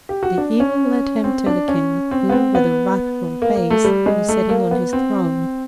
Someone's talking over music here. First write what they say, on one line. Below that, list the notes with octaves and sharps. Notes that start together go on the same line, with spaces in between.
The Eagle led him to the King, who with a wrathful face was sitting on his throne.
G4
F#4
D4
C#4
C4
D4
C#4
C4
B3
C4
B3
A#3
A#3
A3
G3
G#3
A3
A#3
B3
C4